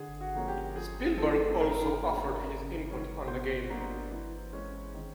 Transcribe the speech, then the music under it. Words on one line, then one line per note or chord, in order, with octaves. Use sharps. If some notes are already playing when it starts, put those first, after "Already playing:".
Spielberg also offered his input on the game.
Already playing: D3 G#4
F#4
F3 A#3 C#4
G4
F3 G#4
A3 C4 A4
A2 A#4
F#3 A#3 D4
C#3
E3 G#3 C#4
B2 C5
F#3 A#3 D4
E3
G#3 C#4
D#3